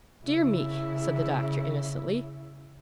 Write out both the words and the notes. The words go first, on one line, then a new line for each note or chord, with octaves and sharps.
'Dear me!' said the Doctor, innocently.
C#3 E4